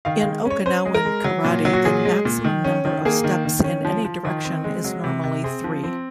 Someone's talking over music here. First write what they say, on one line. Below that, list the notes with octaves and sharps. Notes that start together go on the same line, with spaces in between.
In Okinawan karate the maximum number of steps in any direction is normally three.
D#3 F5
F5
G#3
C#4
C#5
C#4 C5
G#3 G#4
A#4
G#3
F#3
A#2
F#3
F#4
A#2 G#4
G#3
A#2
D#3
C#4
D#3
A#3 G#4
D#3
D#3
C#4
F3
F3
D#3
C4
G#3
F#3
C3
C3
C4 G#4
F3
C4